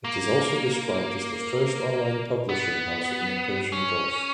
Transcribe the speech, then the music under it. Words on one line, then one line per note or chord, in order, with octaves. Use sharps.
It is also described as the first online publishing house in the Persian Gulf.
A#3
B3
C#4